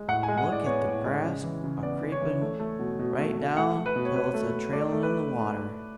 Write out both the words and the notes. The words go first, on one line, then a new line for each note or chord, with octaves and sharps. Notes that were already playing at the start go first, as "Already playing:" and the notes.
Look at the grass a-creepin' right down till it's a trailin' in the water!
Already playing: G#3
A2 F#5
G#5
G#3
F#5
A2 D5
B3 C#5
A2
G#3
C#3
E3
C#3
B3 D5
C#3
C#5
E3
A3
A3
B2
B2
A3
A3
A3 F#5
A3
B4
B2
C#5
B2 B4
A3
A3
A3 D5
A3
B4